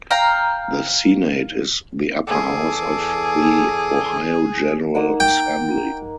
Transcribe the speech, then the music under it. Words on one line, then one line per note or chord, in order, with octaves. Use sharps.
The senate is the upper house of the Ohio General Assembly.
F5 G5 A#5
E2 G#4 A4 D6
A#3 D#4 F#5
G5